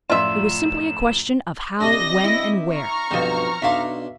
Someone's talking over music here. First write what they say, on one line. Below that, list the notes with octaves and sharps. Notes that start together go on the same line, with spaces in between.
It was simply a question of how, when, and where.
F#2 A2 F3 F4 D5 E5 C6 E7
C3 G3 D4 D#5 A#6
E4
A#5 C#6 F6
B1 G2 B2 F3 C4
B1 D4 E5 F5 C6